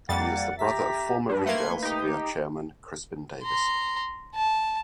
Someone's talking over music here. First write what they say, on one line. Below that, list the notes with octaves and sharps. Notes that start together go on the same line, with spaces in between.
He is the brother of former Reed Elsevier chairman Crispin Davis.
F2 G3 A#3 F#5 A6
G4 E5 A#5 B6
G2 B4
A3 A#3 F#5 C6 G#6
D#4 G4
A#5 C6
A5